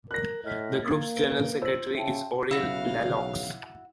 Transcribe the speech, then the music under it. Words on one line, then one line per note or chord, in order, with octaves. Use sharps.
The group’s general secretary is Aurelie Laloux.
A#4 F#6 A#6
A2 D#5 F6 B6
A#3 G#6 A6
B4 D7 G7
F4 C5 E6 F#7
C#3 E5 G5 A5
B1 C#3 E4 F#4 F5